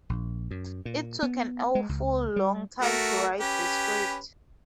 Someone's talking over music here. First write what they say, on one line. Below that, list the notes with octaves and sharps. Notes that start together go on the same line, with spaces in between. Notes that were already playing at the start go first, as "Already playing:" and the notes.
It took an awful long time to write the script.
A#1
F#2
A#2
B3
G#3
C#2
G3
A3 F#4 A#4
C#4 G4 B4